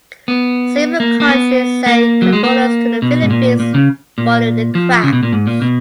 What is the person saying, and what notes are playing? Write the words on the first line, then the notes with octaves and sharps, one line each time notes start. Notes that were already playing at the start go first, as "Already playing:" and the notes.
Several countries sent condolences to the Philippines following the crash.
B3
A#3
A#3
B3
A#3
F#3
G#3
A#3
B2
G#2
A#2
A#2
C#3
A#2
F3
C#3
B2
A#2
G#2
A#2
B2